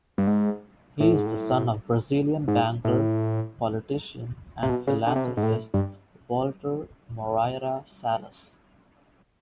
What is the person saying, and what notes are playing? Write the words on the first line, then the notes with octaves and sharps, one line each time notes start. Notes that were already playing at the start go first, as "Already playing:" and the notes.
He is the son of Brazilian banker, politician and philanthropist Walter Moreira Salles.
G2
G#2
A2
G#2
A2
G#2
A2
C3
B2
C#3
D3
C3
B2
G#2
A2
G2